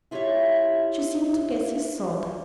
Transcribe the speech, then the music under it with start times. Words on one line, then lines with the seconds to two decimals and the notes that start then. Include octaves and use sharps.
She seemed to guess his thought.
0.11 E4 F4 G4 B4 C#5 E5